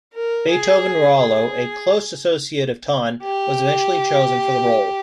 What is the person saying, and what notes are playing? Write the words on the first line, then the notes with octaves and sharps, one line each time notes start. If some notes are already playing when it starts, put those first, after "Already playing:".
Beethoven Rualo, a close associate of Tan, was eventually chosen for the role.
A#4
G#4
G#4
G4